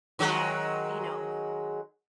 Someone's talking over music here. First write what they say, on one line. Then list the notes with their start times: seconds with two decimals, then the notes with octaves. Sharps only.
uh, you know
0.19 D#3 F#3 G#3